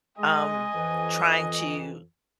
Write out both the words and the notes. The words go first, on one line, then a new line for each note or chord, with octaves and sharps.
um, trying to
G#3 D#5 G#5
F2 E3